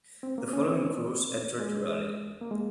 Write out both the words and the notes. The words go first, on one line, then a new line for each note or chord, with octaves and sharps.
The following crews entered the rally.
C4
A#3
C#4
C4
G#3
A#3
G#3